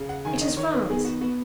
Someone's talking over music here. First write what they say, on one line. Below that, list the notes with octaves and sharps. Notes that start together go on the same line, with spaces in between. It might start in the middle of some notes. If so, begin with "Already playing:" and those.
It is France.
Already playing: C#3
F#5
D#3 G#5
D#5
D#3 C#5
B4
B3 G#4
F#4
B3 F#4